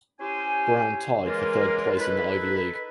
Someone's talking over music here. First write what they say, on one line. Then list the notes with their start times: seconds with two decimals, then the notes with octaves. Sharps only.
Brown tied for third place in the Ivy League.
0.20 C#4 E4 G4 C5 G#5
1.24 C#3 E3 G#3 A#3 F4 A#4
1.97 D#4 E4 A4 B4